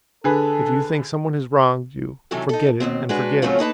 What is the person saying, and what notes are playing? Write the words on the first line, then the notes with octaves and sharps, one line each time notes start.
If you think someone has wronged you, forget it and forgive!
D3 G#4 A4 B4
C3 D#3 E3 F#3 C#4 A4
D#4 A4
D#2 G#2 B2 C4
G#3 D4 F#4 B4
C#3 F#3 A3 C4 C#4 F4
A#3 D#4 B4 A5